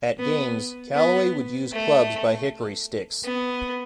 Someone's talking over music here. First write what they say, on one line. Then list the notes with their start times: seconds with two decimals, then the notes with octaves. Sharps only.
At games, Callaway would use clubs by Hickory Sticks.
0.19 B3
0.95 B3
1.72 A3
3.24 B3